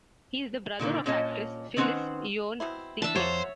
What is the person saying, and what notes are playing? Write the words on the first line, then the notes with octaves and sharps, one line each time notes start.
He is the brother of actress Phyllis Yvonne Stickney.
A#2 D3 D#3 A#3
A#2 C#4 C#5 D#5 A5
D#3 C4 C#4 B4 C5 F#5
B2 C4 E4
E3 D4 E5 A5
F2 A#3 C#4 F#4 C5 C#5